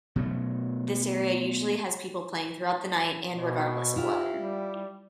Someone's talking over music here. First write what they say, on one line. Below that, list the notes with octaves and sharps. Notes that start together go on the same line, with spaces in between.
This area usually has people playing throughout the night and regardless of weather.
B2 F#3 A3
B2
E4 F4 G4
G3